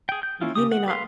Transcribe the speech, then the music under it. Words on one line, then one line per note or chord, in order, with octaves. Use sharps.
he may not
G#4 G5
G6
A#3 C#4 E4 F4
C#3 F3 G4 D#6
F#5
B4 F5 C6